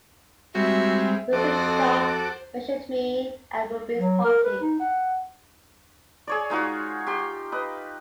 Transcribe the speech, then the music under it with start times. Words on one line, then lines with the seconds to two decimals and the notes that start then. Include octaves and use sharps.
Mr. Sharpe measured me at Ruby’s party.
0.55 G3 G#3 C4 F#4 E5
1.33 F2 F#4 A4 C5 D6
3.96 F#3
4.24 A#4
4.43 B4
4.61 D#4
4.80 F#5
6.27 G#4 C#5 D5
6.50 G#3 D#4 F4 F#4
7.07 G4 C6
7.52 B4 D#5